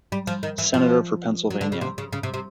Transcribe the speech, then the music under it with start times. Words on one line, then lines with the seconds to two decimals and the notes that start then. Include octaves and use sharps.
Senator for Pennsylvania.
0.12 G3
0.27 F3
0.43 D#3
0.58 E3
0.74 F3
1.51 F#3
1.61 D3
1.72 C#3
1.81 C3
1.98 C#3
2.13 C#3
2.23 C3
2.34 C3